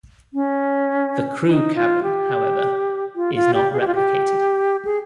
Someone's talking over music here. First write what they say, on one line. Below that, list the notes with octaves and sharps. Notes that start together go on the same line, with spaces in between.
The crew cabin, however, is not replicated.
C#4
D#4
F4
G4
F4
F4
G4
G#4
G4
F4
G4
G#4